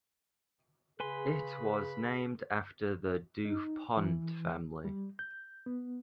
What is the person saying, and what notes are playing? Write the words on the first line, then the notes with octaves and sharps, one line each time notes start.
It was named after the Du Pont family.
C#3 G#4 B4 G#5 B5 C6
D#4
E3
G3
G6
B3